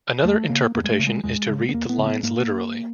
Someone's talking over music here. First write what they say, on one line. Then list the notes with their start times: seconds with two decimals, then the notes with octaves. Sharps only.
Another interpretation is to read the lines literally.
0.25 E2 A3
0.49 C#3 A#3
0.74 E2 A#3
0.84 G#3
0.91 A3
0.99 C#3
1.07 G#3
1.24 E2 G#3
1.49 C#3
1.69 B3
1.74 E2 A#3
1.89 B3
1.98 C#3
2.06 B3
2.23 G#2 A#3